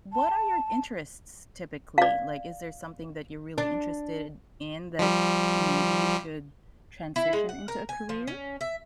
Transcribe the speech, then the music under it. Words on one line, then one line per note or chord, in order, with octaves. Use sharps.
what are your interests typically? Like, is there something that you're really interested in that maybe you could transition into a career?
A5
D5 F5
D4
F3 G3
E4
G#3
F#5
A#4
G#5
F3
C#4
E5